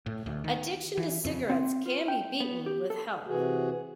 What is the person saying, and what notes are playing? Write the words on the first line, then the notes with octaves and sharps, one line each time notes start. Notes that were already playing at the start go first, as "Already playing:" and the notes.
Addiction to cigarettes can be beaten with help.
A2
D2
D#3
E3
F2 C#3
C4
F4
G5
B3
G4
A4
C3 E3 F#4 G#4